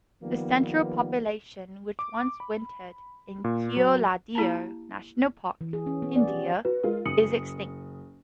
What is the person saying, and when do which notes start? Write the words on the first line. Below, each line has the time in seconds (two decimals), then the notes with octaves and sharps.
The central population, which once wintered in Keoladeo National Park, India, is extinct.
0.22 D#3 F3 G3 A#3 B3
1.99 D6
2.40 B5
3.44 A#2
3.77 F#3
4.35 A#3 E4 G4 A5 A#5
5.61 E3
5.73 G#4
5.86 C#4
6.02 B3
6.16 D5
6.28 G4
6.65 F#4 B4
6.83 G#3 F4 A#4
7.06 F#1 D#6 C#7 F#7